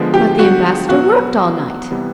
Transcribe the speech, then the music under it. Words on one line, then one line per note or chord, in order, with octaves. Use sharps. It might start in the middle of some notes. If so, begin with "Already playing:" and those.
"But the ambassador worked all night?"
Already playing: D3 F3 G#3 B3
G4
F#4
B2 F#3 B3 F#4
C3 E3 G3 B3